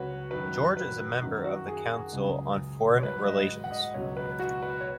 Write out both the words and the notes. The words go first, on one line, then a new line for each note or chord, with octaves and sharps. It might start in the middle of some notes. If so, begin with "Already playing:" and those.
George is a member of the Council on Foreign Relations.
Already playing: C#2 C#3 F#3 F#4 B4 C#5
F#2 D#3 F#3 B4
B4
F#2 D#3 F#3
F#4
G#4
G#4
C#2 C#3 F#3
C#5
G#2 F#3 B4
D#5
F#5
D#5
C#2 B2 F#3 C#5
B4
F#4
B4
C#5